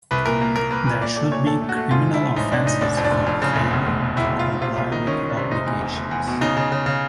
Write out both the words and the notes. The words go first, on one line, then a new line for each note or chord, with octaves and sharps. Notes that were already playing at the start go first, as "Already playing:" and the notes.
There should be criminal offences for failure to comply with obligations.
C2 B4
A#2 A#4
A#3
A#3 A#4
A#3 B4
A#2 B4
A#2 D5
A3 D5
A#2 C#5
A#2 A4
A3
F#4
A3
G#2 F4
G#2
E4
F3
A1 D#4
A1 D4
A1 D#4
F1 D4
F2
D4
F1
F2
C#3
F1
E1
D2
E1
E1 E4
E1
F4
E1
C3 F4
C2 F4
D#3 D#4
D#3 C#4
D#3
D4
C3
F1 D#4
E2
F1
F1
E2
B2
C#3 D#4
C#3
C#3
C#3